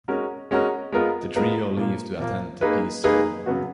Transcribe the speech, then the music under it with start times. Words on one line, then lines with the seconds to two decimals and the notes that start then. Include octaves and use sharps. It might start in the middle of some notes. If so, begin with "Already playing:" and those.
The trio leave to attend the peace ceremony.
0.08 G#3 C#4 F#4 A#4
0.51 G#3 C#4 F#4 A#4
0.92 G#3 B3 F4 A#4
1.36 G#3 B3 F4 A#4
1.77 A#2 F3 A#3
2.19 A#2 F3 A#3
2.61 A#3 D#4 G#4 B4
3.04 A#3 D#4 G#4 B4
3.46 C#3 F#3 B3 F#4